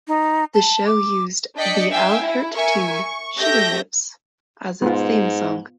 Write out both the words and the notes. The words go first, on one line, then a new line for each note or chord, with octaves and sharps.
The show used the Al Hirt tune "Sugar Lips" as its theme song.
D#4
A5
D6
D4 D5 D#5 G5 B6 C#7
E5 F5 G5 G#5 E6
E4
A#4 E5 G#5 C#6
C#6
A3 G4 E5 G6 A#6
G#2 B3 F4